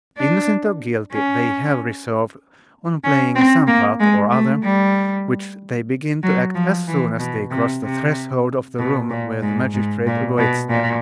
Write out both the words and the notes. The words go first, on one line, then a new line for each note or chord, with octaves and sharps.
Innocent or guilty, they have resolved, on playing some part or other, which they begin to act as soon as they cross the threshold of the room where the magistrate awaits them.
D4
C#4
C#4
C4
A#3
G#3
A3
G3
F#3
F3
E3
B2
C3
C3
B2
A#2
G#2
G#2
A#2
B2
A#2